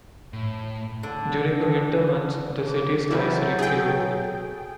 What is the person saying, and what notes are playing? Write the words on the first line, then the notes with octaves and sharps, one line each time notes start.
During the winter months the city's ice rink is open.
A2
D3
C#5 D6
E3 F#3 E4 A4 E5 G6
G#4 G5